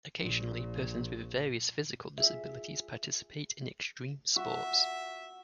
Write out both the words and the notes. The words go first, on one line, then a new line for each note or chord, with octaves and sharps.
Occasionally persons with various physical disabilities participate in extreme sports.
A#1 A#2
F4 G#4 E5
F#4 E5